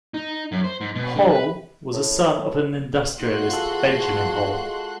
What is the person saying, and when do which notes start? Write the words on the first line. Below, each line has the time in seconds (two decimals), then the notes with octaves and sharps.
Hall was a son of an industrialist Benjamin Hall.
0.14 D#4
0.52 F#2
0.64 C5
0.81 G#2
0.95 B2
1.15 D3
1.29 B4
1.93 A2
3.18 A#3 D#4 E4 F#4 C6 F#6
3.49 E2 F4 G#4 A4
4.61 G#3